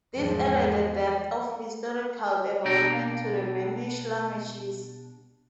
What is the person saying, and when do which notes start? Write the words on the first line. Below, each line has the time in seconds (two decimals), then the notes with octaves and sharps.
This added a depth of historical development to the Mannish languages.
0.14 E2 G#2 F3
2.65 B2 D4 G5 A#5